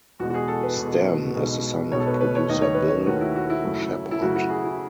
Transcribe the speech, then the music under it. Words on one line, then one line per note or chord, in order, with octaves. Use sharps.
Stan is the son of producer Bill Sheppard.
E2 B2 G#3 F#4
F#4
G#4
A4
B4
E2 B2 G#3
B1 B2 G#3
B1 B2 G#3 C#5
A4
B4
B4
C#5
D#2 D#3 A3 D#5
C#5
B4
C#5
D#2 D#3 A3 F#4
E4
F#4
E4
F#2 C#3 F#3 A3
E4
F#2 C#3 F#3 A3 F#4
F#4
G#4
E4